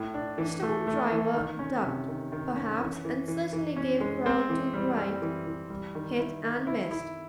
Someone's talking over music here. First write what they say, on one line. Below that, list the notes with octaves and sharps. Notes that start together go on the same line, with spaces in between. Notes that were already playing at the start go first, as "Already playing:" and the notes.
Mr. Hoopdriver ducked perhaps and certainly gave ground to the right, hit, and missed.
Already playing: A2
D4
E3
A3
A3
E3
D#3
C#4
C3
D#3
D#3
C#4
E3
E3
E3
E3
C#4
G#3
C4
E3
G3
G3
E3
E3
G3
D#3
E4
D#3
E4
E4